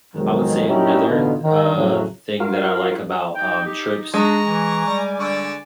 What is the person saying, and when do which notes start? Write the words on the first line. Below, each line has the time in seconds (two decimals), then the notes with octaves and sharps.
I would say another, uh, thing that I like about, um, trips
0.16 F2 B2 D#3 F#3 G#3
0.68 A#2 C#4 D#4 E4 F#4 G4
1.08 A1 B2 D3 B3 D#4 F4
1.43 D#3
1.75 F2 A2 C#3 F3 F#3
2.40 F4 F#4 A#4 F5
3.35 D#4 G5
3.66 G4
4.14 G#3 D4 A#5 C#6
4.44 E3 G#5 D6
4.86 G3
5.19 D3 D5 C#6